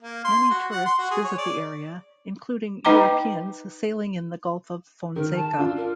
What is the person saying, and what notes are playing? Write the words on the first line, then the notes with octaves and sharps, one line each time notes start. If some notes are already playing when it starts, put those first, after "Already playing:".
Many tourists visit the area, including Europeans sailing in the Gulf of Fonseca.
A#3
C6
F#4
F#5
C6
F#4
G#4
C#5
D5
D#4 B4 D#5 G5 A#5 D6
D#3 A#4
A5
D4 F4
A#4